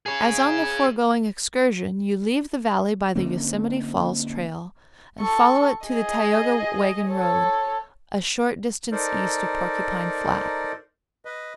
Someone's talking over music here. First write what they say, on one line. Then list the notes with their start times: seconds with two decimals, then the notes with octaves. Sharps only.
As on the foregoing excursion, you leave the Valley by the Yosemite Falls trail and follow it to the Tioga wagon-road, a short distance east of Porcupine Flat.
0.06 G#4 C#5
3.15 D3 A#3 C4 C#4
5.20 A4 C#6
5.87 G#4 D#5
7.08 A4 C#5
8.92 D#4 A4 A#4 C5 D5
11.25 B4 D#5